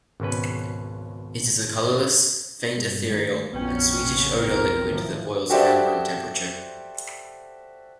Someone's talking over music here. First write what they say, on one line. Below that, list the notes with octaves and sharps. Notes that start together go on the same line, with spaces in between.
It is a colorless, faint ethereal, and sweetish-odor liquid that boils around room temperature.
G#1 C#2 B2 C#4 B4
G2 G#3
D#3 G#3 A3
A#1 F2 F#3 B3 C#4 G5
C#3
B1 F2 A#4
A2 D#3 F3
F#4 G4 A4 C5 D5 E5